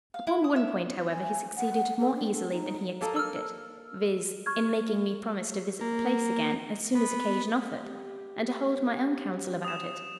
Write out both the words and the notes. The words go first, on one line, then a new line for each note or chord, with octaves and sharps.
Upon one point, however, he succeeded more easily than he expected, viz. in making me promise to visit the place again, as soon as occasion offered, and to hold my own counsel about it.
F5
E4
D#6
E5
G#5
F#5
A4
D4
A4
D#4
A#3 A4 D#5
E6 F6
C#6 F6 G#6
A#3
B3
G4
D#6 E7